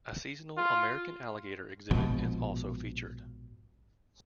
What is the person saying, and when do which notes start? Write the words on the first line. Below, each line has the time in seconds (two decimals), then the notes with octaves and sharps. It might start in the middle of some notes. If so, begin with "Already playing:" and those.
A seasonal, American Alligator Exhibit is also featured.
0.57 F4
1.91 A#1 G#2 B2 F3